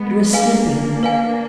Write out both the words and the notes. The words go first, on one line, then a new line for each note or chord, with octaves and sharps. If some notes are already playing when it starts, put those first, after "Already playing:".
It was sleeping.
Already playing: G#3 B3
A#3 D4 B4 F5 G#5
B4 F5 G#5